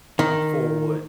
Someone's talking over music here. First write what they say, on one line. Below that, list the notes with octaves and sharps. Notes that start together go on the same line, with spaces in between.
for what
D#3